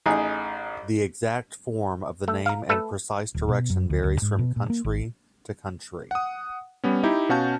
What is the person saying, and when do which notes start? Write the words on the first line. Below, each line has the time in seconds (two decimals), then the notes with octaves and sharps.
The exact form of the name and precise direction varies from country to country.
0.06 A1 D#4 G#4
2.28 A3
2.46 F5 A#5
2.69 A3 A4 B4
3.35 D1
3.48 B2
3.70 F#2
3.90 D2
4.04 D2
4.22 G#2
4.39 B2
4.56 A#2
4.70 A#3
4.84 G#1
6.11 F#5 D#6
6.84 G3 B3 C#4
7.03 D#4 E4 G4
7.29 B2 C#4 F#4 F5 A5 G6